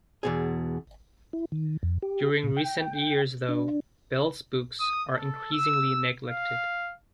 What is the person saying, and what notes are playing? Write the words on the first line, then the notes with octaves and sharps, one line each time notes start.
During recent years though, Bell's books are increasingly neglected.
E2 B2 G#4
E4
D#3
F2
G4
A#2
G5
D4
D#6
A4
E6
F5